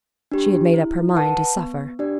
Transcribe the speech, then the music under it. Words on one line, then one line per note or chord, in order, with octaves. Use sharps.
She had made up her mind to suffer.
D4 G4
E4
B4 F#5 A5
B3
D4 G4 D5